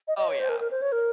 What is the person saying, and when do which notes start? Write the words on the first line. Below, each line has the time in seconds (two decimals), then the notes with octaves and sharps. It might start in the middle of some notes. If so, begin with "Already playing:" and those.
Oh, yeah.
0.08 D#5
0.18 D#5
0.29 C#5
0.39 C5
0.49 A#4
0.60 A#4
0.71 C5
0.82 C#5
0.92 A#4